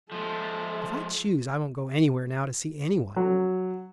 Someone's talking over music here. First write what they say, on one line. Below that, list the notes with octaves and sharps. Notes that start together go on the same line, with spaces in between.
If I choose, I won't go anywhere now to see any one.
F3 G#3 A4 E5
F#3